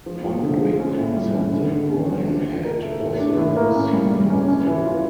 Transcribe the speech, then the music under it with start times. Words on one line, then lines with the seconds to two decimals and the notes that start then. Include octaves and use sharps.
One great concept that Brian had was of the senior zone.
0.06 F3
0.24 F3
0.42 D3
0.62 F3
0.80 C#4
0.98 A2
1.17 G3
1.35 C#4
1.53 D3
1.72 D3
1.90 C#4
2.08 F3
2.27 D4
2.45 F4
2.64 A#4
2.82 A3
3.00 A2
3.19 D4
3.37 A2
3.57 A#3
3.75 C#4
3.93 G3
4.11 G3
4.30 C#4
4.48 C#4
4.67 E3
4.85 F4